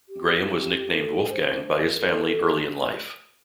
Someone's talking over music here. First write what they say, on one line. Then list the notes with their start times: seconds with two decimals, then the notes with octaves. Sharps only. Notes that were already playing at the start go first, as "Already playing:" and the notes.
Graham was nicknamed "Wolfgang" by his family early in life.
0.09 G4
0.90 A4
1.31 C5
1.72 A#4
1.98 A4
2.26 A4